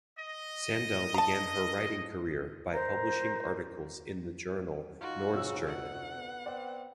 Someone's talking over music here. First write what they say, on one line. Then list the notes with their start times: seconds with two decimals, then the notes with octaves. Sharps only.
Sandel began her writing career by publishing articles in the journal "Nordstjernan".
0.18 D#5
1.14 A5 A#5
2.74 A#4 C5 A#5
5.01 D#4 F4 F#4
5.33 F1 C#3 F4 E6
5.67 D2 F#5
6.16 B3
6.46 C4 D5